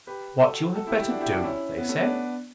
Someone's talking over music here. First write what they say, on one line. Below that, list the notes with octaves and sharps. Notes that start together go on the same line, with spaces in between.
'What you had better do?' they said.
G4 B4
F#4 A4
F#4 A4
E4 G4
E4 G4
D4 F#4
E4 G4
D4 F#4
C#4 E4
B3
A3 C#4
B3 D4